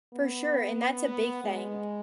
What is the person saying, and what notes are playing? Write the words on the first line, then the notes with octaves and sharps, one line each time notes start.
For sure, and that's a big thing.
B3
G#3